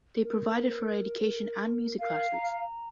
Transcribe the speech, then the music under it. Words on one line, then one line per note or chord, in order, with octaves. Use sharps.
They provided for her education and music classes.
A#4
A#4 F5
A#5